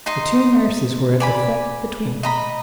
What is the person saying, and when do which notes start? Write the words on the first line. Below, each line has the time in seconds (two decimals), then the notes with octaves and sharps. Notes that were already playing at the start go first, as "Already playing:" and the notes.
The two nurses were at the foot between them.
0.06 D#4 D#5 C6
1.20 D5 G#5 B5
2.23 D#5 A#5 B5